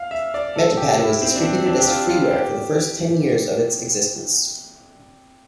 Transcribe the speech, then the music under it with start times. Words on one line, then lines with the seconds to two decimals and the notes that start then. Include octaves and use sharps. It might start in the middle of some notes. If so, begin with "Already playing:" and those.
Metapad was distributed as freeware for the first ten years of its existence.
Already playing: F5
0.11 E5
0.34 D5
0.56 A4
0.77 G4
1.00 E4
1.21 C4
1.35 D4
1.43 C4
1.66 D4
1.80 G4
1.88 F4
2.10 F4
2.31 G4